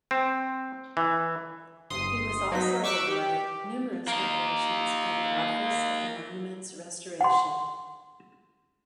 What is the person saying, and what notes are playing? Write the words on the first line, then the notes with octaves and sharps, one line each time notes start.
He was also awarded numerous decorations by the Office of Monuments Restoration.
C4
E3
G1 C6 D#6
F#3 D#4 B6
C#6 D6 E6 F#6 B6
G4
A#3 D#4
F#5 C6